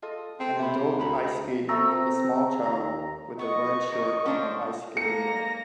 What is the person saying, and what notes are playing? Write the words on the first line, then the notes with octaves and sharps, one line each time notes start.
An adult ice skating with a small child with a red shirt on an ice skating rink.
F4 A4 D#5
C4 A4
C3 E5 B5
D2 B4 A#5 B5
A3 C4 A#5 E6
D#2 A#5
B3 D#5 C#6
A#4
C#4 D4 C5
A#3 A4 A#6 C#7